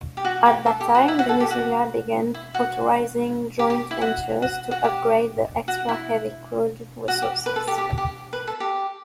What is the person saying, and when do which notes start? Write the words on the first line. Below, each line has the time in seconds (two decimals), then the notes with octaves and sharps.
At that time Venezuela began authorizing joint ventures to upgrade the extra-heavy crude resources.
0.17 G4
0.25 F#4
0.46 G4
0.66 A4
0.81 G4
0.95 F#4
1.08 E4
1.19 F#4
1.29 A4
1.40 G4
1.50 F#4
2.34 E4
2.54 F#4
3.59 G4
3.70 G4
3.91 E4
4.01 F#4
4.42 F#4
4.71 F#4
4.84 G4
5.68 F#4
5.89 E4
7.08 F#4
7.22 G4
7.46 B4
7.56 A4
7.67 G4
7.78 G4
7.98 G4
8.33 B4
8.47 A4
8.60 G4